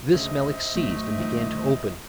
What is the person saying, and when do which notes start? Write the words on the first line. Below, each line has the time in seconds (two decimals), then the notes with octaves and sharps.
This Melick seized and began to open.
0.15 D2 C#3 C5 D#5 E5
0.76 G#1 F#3 A3
1.16 G2 D#3 F3